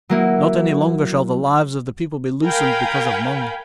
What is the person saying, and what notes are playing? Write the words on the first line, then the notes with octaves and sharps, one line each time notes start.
Not any longer shall the lives of the People be loosened because of Mung.
F#3 A#3 E4
A#4 F5 G5 G#5 B5